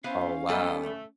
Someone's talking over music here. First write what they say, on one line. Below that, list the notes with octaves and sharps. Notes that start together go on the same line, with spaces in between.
Oh, wow.
B3 C#4 E4 C5 F5
G3 B3 A4 D#5
A3